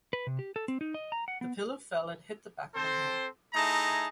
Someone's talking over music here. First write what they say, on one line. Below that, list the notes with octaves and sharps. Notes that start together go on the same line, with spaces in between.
The pillow fell and hit the back of my hand.
B4
C3
G4
A4
C4
D#4
D#5
A#5
F#5
B3
C4 A4 C5
A3 D#4 E4 G#4 A5 A#5